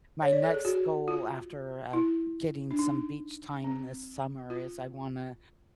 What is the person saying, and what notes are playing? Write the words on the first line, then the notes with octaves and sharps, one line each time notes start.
my next goal after, uh, getting some beach time this summer is I wanna
C#5
D5
A4
G#4
F#4
F4
E4
D4
D#4
C4
F4